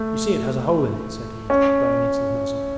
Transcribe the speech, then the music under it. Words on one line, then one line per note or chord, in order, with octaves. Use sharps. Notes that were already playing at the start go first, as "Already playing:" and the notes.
You see it has a hole in it,' said he, blowing into the muzzle.
Already playing: A3
C#4